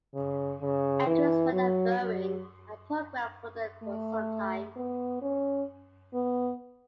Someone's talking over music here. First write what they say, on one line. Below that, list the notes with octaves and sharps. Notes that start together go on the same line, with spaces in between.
Edwards worked at Boeing and programmed for them for some time.
C#3
C#3
E3
F#3
F#3
A3
B3
C#4
B3